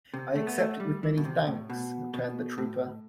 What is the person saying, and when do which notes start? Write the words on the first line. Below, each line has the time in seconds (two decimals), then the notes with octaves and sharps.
"I accept it with many thanks," returned the trooper.
0.14 C3
0.35 A3
0.47 B3
0.58 A3
0.80 G3
1.03 E3
1.17 B2
1.25 C3
1.47 A2
1.70 B2
2.14 B2
2.58 A2